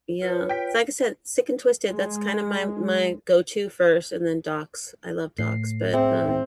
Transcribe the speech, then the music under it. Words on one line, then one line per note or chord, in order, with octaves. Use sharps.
Yeah. It's like I said, Sick and Twisted, that's kinda my my go to first, and then docs. I love docs, but, um,
F4 B4 C#5
G5 B6
G#3
A2 C7
C4 G#4 E5 G5